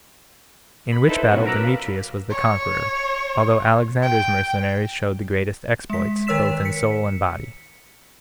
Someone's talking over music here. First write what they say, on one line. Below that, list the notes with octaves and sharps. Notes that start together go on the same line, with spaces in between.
In which battle Demetrius was the conqueror, although Alexander's mercenaries showed the greatest exploits, both in soul and body.
B5
D#4 E4 A4 B4 C5
B2 F#3 C#4 F#4
A#4 B4 A#5 D6 E6 F#6
F5 B5
C#5
G5
G#3 B6
D#3 A#4 C#5 E6 B6 E7
B6 C#7